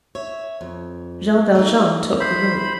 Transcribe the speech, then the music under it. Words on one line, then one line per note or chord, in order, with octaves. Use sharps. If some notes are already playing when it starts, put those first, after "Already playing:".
Jean Valjean took the rope.
C#5 E5
F2
A3 D#4
C5 B5